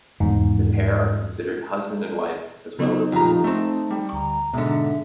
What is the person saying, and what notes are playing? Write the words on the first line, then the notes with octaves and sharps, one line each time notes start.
The pair are considered husband and wife as well as siblings.
F1 E2 G#2
C#3 F#3 B3 D#4
F2 F4 G4 A#5
A3 C4 A5
G3
D2 A#5
G#2 B2 D3 E5